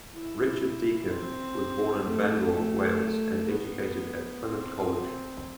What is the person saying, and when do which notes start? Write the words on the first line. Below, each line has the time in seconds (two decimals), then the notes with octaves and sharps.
Richard Deacon was born in Bangor, Wales, and educated at Plymouth College.
0.14 E4
1.10 C4
2.05 A3
2.53 A3
3.48 B3
4.44 C4